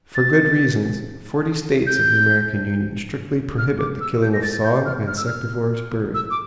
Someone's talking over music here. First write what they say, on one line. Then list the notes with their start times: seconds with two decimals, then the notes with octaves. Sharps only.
For good reasons, forty states of the American Union strictly prohibit the killing of song and insectivorous birds.
0.15 A6
1.87 G6
3.58 F6
3.79 D6
4.01 E6
4.22 G6
4.33 A#6
4.42 A6
4.64 G6
4.86 F6
5.07 F6
5.17 E6
5.26 F6
6.14 E6
6.30 D6